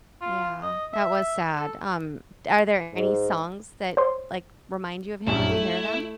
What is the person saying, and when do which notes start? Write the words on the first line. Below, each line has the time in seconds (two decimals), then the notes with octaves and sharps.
yeah, that was sad. Um, are there any songs that, like, remind you of him when you hear them?
0.21 F4
0.63 D#5
0.94 E5
1.56 A4
2.93 G#2
3.97 C5 C#5 C6
5.27 A#1 F#2 E4
5.49 A3